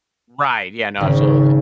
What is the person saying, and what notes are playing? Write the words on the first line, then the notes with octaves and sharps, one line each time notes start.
Right, yeah, no, absolutely.
G#1 C#3